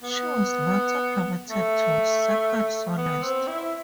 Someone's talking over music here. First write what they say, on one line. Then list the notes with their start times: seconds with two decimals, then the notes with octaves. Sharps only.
She was later promoted to second soloist.
0.02 B3
1.50 A3
2.97 B3
3.23 C4
3.47 E4